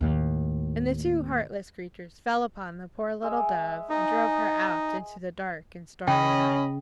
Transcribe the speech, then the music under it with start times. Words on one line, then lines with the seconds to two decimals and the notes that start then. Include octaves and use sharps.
And the two heartless creatures fell upon the poor little Dove and drove her out into the dark and stormy night.
0.01 D#2 A2
3.22 G#3 E5
3.90 D#4 G#5 D#6
6.08 C#3 C#4 D#5 G5 B5